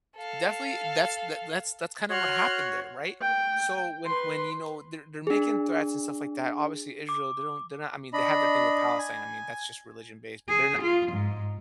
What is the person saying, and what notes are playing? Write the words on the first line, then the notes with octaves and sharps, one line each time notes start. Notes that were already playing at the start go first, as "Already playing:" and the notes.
definitely, that's the that's that's kinda what happened there, right? So, when when, you know, they're they're making threats and stuff like that, obviously Israel, they don't they're not I mean, they have their thing with Palestine, I mean, that's just religion-based, but they're no
A4 F5
F#4 C#5 C6 F6 F#6
G5
B4 C6
D4 G#4
D6
D4 D#5 B5
G#5
G#4
F4
G#2